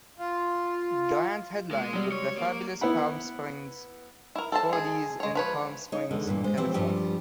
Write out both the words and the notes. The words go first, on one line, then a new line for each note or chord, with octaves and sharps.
Grant headlined with The Fabulous Palm Springs Follies in Palm Springs, California.
F4
G#3 A#3
F#3 G3
C#5
A#3
B3 E4 F#5 B5
E4 A#4
A4 C5 A5
G#3 G#4
G#3 C#5
F3 B4 C#5
D#4 C#5
E2 D3 G#3
G2 A#2 E3
G#3 C5
E3 F3 C4 F#4 G4 C5
G2 F3 G3 G4